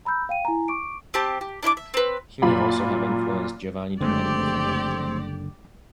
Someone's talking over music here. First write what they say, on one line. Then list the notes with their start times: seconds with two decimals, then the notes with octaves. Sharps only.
He may also have influenced Giovanni Domenico Ferretti.
0.05 A#5 B5 E6 G6
0.29 F5 G5 D#7
0.45 E4 G#5 A#5
0.68 C#6 D6 D7
1.14 C4 G4 A5
1.41 G4
1.63 D4 E4 E5 D6
1.77 E5
1.94 C4 B4
2.42 F#2 A#2 F4 B5
4.00 F#1 D3 F3 G#3 A3 C4 G4 D5